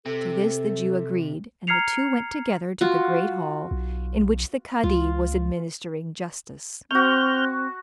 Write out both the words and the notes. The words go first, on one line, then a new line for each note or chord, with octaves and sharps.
To this the Jew agreed, and the two went together to the great hall, in which the kadi was administering justice.
C3 A4
A#5 F6 G#6 C7 C#7 F7
F4 F#4
B1
C#2 F4
C4 F#4 C#6 F6 G6